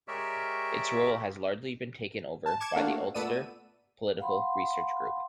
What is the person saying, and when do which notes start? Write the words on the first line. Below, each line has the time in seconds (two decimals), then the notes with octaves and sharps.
Its role has largely been taken over by the Ulster Political Research Group.
0.08 G#3 G4 A#4 C#5 D5 E5
2.46 A5
2.60 D6 G#6 C#7 E7
2.76 A3 A#3 D4 F#4 A4 F5
3.15 A#2 A3 B3 D5 E6 D#7
4.20 F5 F#5 B5 C6